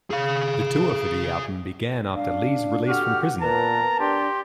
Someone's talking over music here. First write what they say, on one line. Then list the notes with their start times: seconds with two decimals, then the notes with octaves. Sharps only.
The tour for the album began after Lee's release from prison.
0.11 G#4 F5
2.15 D4 F5
2.88 D3 F#4 G4 F#5 F6
3.41 A#2 B3 A#4 B4 A5 A#5
4.00 D4 G4 C6